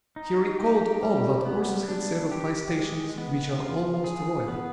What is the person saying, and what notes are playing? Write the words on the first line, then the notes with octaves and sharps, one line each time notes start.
He recalled all that Ursus had said of high stations which are almost royal.
D#4
G4
G3
B3
D4
G4
G#3
B3
F4
G#4
B3